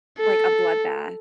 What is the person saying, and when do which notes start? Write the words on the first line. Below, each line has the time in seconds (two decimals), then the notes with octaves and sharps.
like, a bloodbath.
0.19 A4